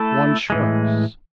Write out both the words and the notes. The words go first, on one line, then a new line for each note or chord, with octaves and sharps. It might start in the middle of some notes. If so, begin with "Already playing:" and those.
One shrugs.
Already playing: A3 E4 A4
A2 E3 G#3